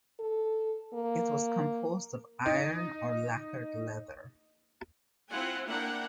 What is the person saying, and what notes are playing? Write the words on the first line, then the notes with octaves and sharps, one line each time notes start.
It was composed of iron or lacquered leather.
A4
A#3
D#4
C4 E4 F4 F#5 G#5
A#3 D4 E4 A#4 F#5 G5